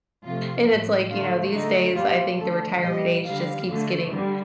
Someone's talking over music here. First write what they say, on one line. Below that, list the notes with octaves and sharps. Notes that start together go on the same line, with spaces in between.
and it's like, you know, these days I think the retirement age just keeps getting
C3 F3 A3 F4
A2 F3 A3
D3 A3 F4
D3 A3 D#4
A#2 G3 F4
D3 F3 A3 A4
A#2 G3 D#5
D3 G3 F5
D3 A3
D3 G3